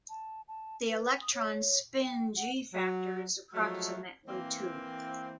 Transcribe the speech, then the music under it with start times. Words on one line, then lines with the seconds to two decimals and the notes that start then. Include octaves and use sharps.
The electron spin g-factor is approximately two.
0.10 A5
0.48 A5
0.89 B4
1.21 D#6
1.34 C#5
2.02 G5
2.37 F#5
2.73 F#3
3.54 F3 F#3 G#3 A3 E4 F#4
4.27 E3 A#3 C4